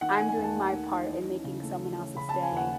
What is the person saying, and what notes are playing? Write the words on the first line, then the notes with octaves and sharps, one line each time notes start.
I'm doing my part in making someone else's day
D#3 F#5
G#5
D#4
G#5
D#2
A5
A3
D#3
D#4
E3
C#4
C#3
A3
E3
C#4
C#3 B5
A5
C#4
G#5
D#2
F#5